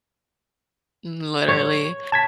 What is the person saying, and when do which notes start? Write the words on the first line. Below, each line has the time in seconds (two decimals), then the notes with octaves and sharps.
Mm, literally.
1.48 C#5
2.12 A5 G#6 B6